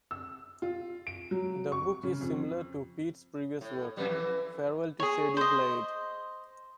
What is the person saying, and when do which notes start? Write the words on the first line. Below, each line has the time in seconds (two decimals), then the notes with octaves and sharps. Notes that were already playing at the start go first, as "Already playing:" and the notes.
The book is similar to Peet's previous work "Farewell to Shady Glade".
0.11 E6
0.62 F4
1.07 D7
1.31 F#3
1.72 C#6
2.03 C#3
2.21 F2
3.61 A2 C#5
3.97 F2 C3 G3 B4
4.09 E3
5.00 G#4 C#5
5.37 C5 D#5